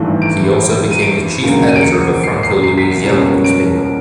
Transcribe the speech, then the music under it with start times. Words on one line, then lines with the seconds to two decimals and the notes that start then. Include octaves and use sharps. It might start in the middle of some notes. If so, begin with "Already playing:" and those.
He also became the chief editor of a Franco-Louisiana newspaper.
Already playing: G#1 G2 E3 A3
0.22 D7
0.91 D#7
1.02 D7
1.42 E1 D2 C#3 F#3 A#3
1.68 D#7
1.76 D7
1.82 C#7
2.23 C7
2.43 C7
2.63 C7
2.78 B6
2.91 C7
3.04 C#2 B2 G3 A#3 C#4
3.44 D7